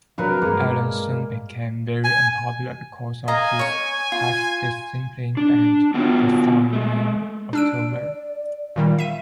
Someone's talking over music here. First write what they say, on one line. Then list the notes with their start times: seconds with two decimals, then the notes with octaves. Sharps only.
Allen soon became very unpopular because of his harsh discipline and resigned in October.
0.18 C3 F#3 D4 A#4 B4 F5
0.42 G2 G#3 A#3
2.04 G#5
3.28 D#5 F5 G#5 A#5
3.59 C#5 C#6
4.12 F4
5.37 D4
5.94 B3 F4 F#4 G5
6.73 G#3 A3
7.53 D4 D5 E6 D7
8.76 A#2 D#3 G3 F5
8.98 E5 D#7